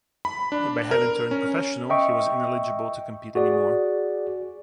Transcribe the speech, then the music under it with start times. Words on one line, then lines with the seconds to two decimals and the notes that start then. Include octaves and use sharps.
By having turned ‘professional’ he was ineligible to compete any more.
0.25 B5
0.52 D4
0.91 A#4
1.31 C#4
1.90 D#5 E5 G5 C#6
3.35 F#4 G#4 D5